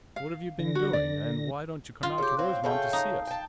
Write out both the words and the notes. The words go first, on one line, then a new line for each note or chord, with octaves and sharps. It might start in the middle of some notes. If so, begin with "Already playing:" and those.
What have you been doing, and why don't you come out to Rosemont to see us?
F5
D3 A#6
F#4
D5
F4
C#3 G4
F#3 C4 F5
C#3 A3 G5
D#4
G5 A5